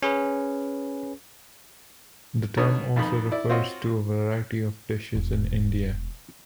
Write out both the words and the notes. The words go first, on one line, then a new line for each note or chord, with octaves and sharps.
The term also refers to a variety of dishes in India.
C#4 G#4 B4
B2 D3 D#4 C#5
F2 B2 D#3 D#4 B5
E4 D5
C4 F4 F#4 C#5 D#5
E1